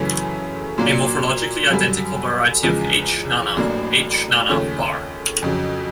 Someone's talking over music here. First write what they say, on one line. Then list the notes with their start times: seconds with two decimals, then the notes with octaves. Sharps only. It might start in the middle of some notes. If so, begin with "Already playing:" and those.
A morphologically-identical variety of "H. nana", "H. nana" var.
Already playing: F#2 C#3 E3 A3 C#4
0.78 A#2 F#3 A#3 D4
1.70 F#2 D3 G3
2.63 E2 C#3 F3 G#3
3.56 A1 A2 F#3 A#3 D4
4.49 D#2 C#3 F3 A3 C#4
5.42 F2 C#3 F#3